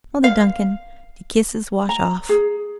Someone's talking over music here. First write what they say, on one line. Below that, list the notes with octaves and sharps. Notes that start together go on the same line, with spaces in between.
"Mother Duncan, do kisses wash off?"
F5
A#5
G#4